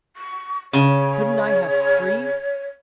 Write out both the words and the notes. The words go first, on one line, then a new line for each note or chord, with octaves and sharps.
Couldn't I have three?
C#6
C#3 C#5